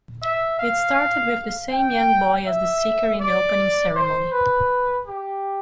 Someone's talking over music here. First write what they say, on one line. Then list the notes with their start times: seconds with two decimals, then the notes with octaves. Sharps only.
It started with the same young boy as the "Seeker" in the opening ceremony.
0.22 E5
0.59 F5
1.71 G5
2.46 E5
3.20 D5
3.95 C5
4.32 B4
5.07 G4